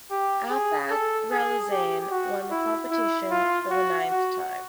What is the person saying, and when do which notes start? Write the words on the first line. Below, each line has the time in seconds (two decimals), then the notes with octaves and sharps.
Afak Relizane won the competition for the ninth time.
0.11 G4
0.50 G#4
0.91 A4
1.31 G#4
1.71 G4
2.11 F#4
2.51 E4
2.90 E4
3.31 F4
3.70 F#4
4.11 F#4